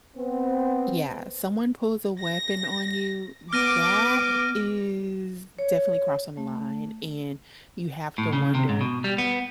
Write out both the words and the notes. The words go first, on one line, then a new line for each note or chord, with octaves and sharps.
Yeah, someone pulls a weapon on you, that is definitely crossing the line, and you have to wonder,
B3 C4
A#6
B3 D6 F6 A#6 D#7
C#5
A3
A2
C#3
C3
G#2
B2
G3
B3